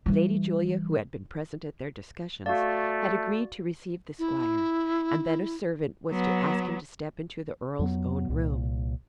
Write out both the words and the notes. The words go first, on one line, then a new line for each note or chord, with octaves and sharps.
Lady Julia, who had been present at their discussions, had agreed to receive the squire; and then a servant was to ask him to step into the earl's own room.
E3 G3
A3 F#4 D5 F5
E4
F#3 B3
F2 F#3 B3
C2 A#2